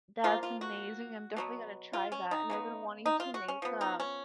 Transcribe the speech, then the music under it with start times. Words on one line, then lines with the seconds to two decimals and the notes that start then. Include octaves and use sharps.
That's amazing, I'm definitely gonna try that. And I've been wanting to make, um,
0.24 F3 A#3 F4
0.43 F4
0.61 F#4
1.37 B2 F#3 B3
1.93 F4
2.12 C#4
2.31 D#4
2.50 C#3 G#3 B3
3.06 D#4
3.20 F4
3.34 F#4
3.48 C#4
3.62 F3 B3
3.81 D#4
4.00 C#4